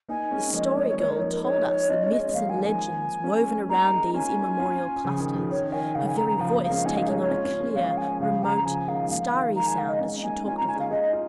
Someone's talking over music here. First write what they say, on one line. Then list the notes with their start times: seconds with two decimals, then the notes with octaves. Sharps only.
The Story Girl told us the myths and legends woven around these immemorial clusters, her very voice taking on a clear, remote, starry sound as she talked of them.
0.09 A#3 D#4 G#5
0.31 G#3 C#4
0.53 F3 A#3 D#5
0.65 C#5
0.76 G#3 C#4 C#5
0.83 D#5
0.88 C#5
0.98 A#3 D#4 C#5
1.10 A#4
1.21 F3 A#3
1.31 A#4
1.44 D#4 G#4 C#5
1.67 C#5
1.83 D#4
1.88 C#4 F4 D#5
2.03 C#5
2.11 G#3 C#4 D#5
2.34 F3 A#3 F5
2.49 D#3 G#3 G#5
2.64 F3 A#3 G#5
3.24 G#3 C#4
3.69 A#3 D#4 A#5
3.92 D#4 G#4
4.14 C#4 F4 G#5
4.59 C#4 F4
5.04 C#3 F3
5.20 D#3
5.34 C#3 F3
5.50 D#3 C#5
5.72 D#3 G#5
5.95 C#3 F5
6.06 G#5
6.17 D#3 A#5
6.28 A#5
6.39 C#3 F3 F5
6.55 F3 A#3
6.63 F5
6.70 G#3 C#4
6.85 A#3 D#4 G#5
6.97 F5
7.07 D#4 G#4 C#5
7.18 C#5
7.30 C#4 F4
7.45 C#4 F4
7.60 G#3 C#4
7.75 F3 A#3 F5
7.97 G#5
8.20 C#3 F3 F5
8.43 C#3 A#5
8.56 A#5
8.65 C#3 F3 G#5
8.87 D#3 G#3 F5
9.10 F3 A#3 F5
9.33 D#3 G#3
9.55 D#3 G#3 A#5
9.66 G#5
9.78 F5
9.89 D#5
10.01 G#3 C#4
10.22 A#3 D#4 G#5
10.46 C#4 F4 G#5
10.56 C#4 F4 A#5
10.67 G#5
10.76 D#4 G#4 F5
10.91 D#4 G#4 D#5
11.13 F4